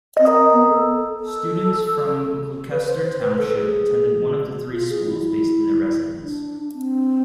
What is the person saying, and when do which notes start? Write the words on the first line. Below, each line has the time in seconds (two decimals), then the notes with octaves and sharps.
Students from Gloucester Township attend one of the three schools based on their residence.
0.20 C4
0.53 B3
0.69 A4
1.20 A4
2.71 B4
2.88 C5
3.04 C5
3.21 B4
3.39 A4
3.54 G#4
4.72 F4
4.90 G#4
5.06 E4
5.22 E4
6.23 D4
6.74 C4